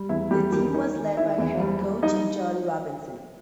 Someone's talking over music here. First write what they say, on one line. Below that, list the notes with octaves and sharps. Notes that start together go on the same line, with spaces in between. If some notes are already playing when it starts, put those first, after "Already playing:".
The team was led by head coach John Robinson.
Already playing: G3
E2 E4
E2 G3 G4
D#3 G3 G4
A#3 D#4
D#3
D#3 E4
E2
G3
G3
G3 D#4 D#5